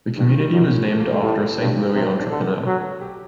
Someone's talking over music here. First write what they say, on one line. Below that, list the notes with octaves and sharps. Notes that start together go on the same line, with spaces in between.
The community was named after a Saint Louis entrepreneur.
G2 D#3
D#3
G3
F#2
A3
A#3
A3
A2 G3
G2
C3 F#3
C4
D4
D3 A4
F#3
G4